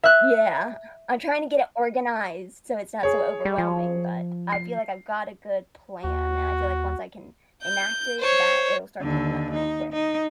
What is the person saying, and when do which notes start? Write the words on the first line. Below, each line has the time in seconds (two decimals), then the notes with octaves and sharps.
Yeah. I'm trying to get it organized, so it's not so overwhelming, but I feel like I've got a good plan, and I feel like once I can enact it that it'll start picking up pretty quick.
0.04 E5 F#6
3.03 G#4 C#5
3.45 G3
3.58 F3
4.52 C7
6.04 D#2 F#4
7.63 G6
8.20 C5 C#5
9.00 D#2 D3
9.53 D#4
9.92 D#4